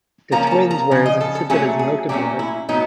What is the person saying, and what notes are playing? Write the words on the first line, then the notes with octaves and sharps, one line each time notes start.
The twins were as insipid as milk and water.
C#3 F3 A#3 C#4 A#5
A#5
A5
A#5
C#3 F3
D#5
A4
A4
A#2 F#3 A3 C#4 G#4
G#4
A#2 F#3 A3 C#4 G4
E4
A2 F#3 B3 D#4